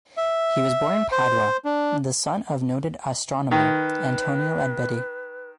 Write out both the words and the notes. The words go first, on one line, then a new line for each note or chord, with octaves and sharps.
He was born in Padua, the son of noted astronomer Antonio Abetti.
E5
C5
D4
D#3 B4